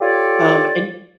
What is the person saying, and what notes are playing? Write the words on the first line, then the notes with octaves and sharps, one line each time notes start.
Um, and
F4 G4 A4 C#5 D5